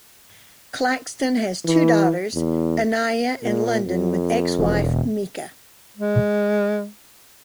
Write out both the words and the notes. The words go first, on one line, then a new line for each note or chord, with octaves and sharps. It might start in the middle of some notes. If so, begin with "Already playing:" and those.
Claxton has two daughters, Aniya and London with ex-wife Meeka.
E3
E2
A#2
F2
E1
G#3